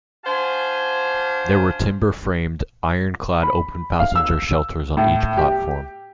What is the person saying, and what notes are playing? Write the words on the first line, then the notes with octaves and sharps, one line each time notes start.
There were timber framed, iron clad open passenger shelters on each platform.
D4 F#4 C5 F5 G#5
B5
F5
E6
A2
G4